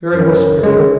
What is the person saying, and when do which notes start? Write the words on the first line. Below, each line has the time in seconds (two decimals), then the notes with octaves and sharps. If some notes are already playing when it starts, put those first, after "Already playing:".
"Very well, Superior."
0.13 F#2
0.63 C#2 G#3